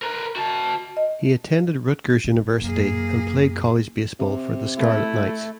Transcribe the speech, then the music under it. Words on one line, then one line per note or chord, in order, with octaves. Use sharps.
He attended Rutgers University and played college baseball for the Scarlet Knights.
A#4 B4
F#4 A5
D#5
B2
F#2 A#3 G#4
C3
A3 E4